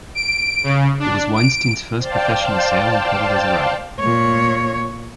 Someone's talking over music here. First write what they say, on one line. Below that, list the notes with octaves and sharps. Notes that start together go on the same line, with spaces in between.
It was Weinstein's first professional sale and credit as a writer.
D7
C#3
D4
D7
C5 D5 F5 G5 A5
A#2 C#5